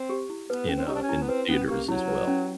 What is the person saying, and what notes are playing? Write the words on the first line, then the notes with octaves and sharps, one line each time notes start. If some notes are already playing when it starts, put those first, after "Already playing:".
in uh, in the theaters as well.
Already playing: C4
G4
E4
B3 B4
C#4
C4
D#4 G4
D4
C#4
E4
B3
C4 B4
B3 C#4
A#3 G4
F#3 E4
B4
C#4